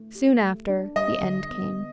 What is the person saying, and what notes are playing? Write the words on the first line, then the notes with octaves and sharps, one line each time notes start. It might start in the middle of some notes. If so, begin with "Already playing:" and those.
Soon after, the end came.
Already playing: A3
G4
A3
D4
G3 D#5
D3
B3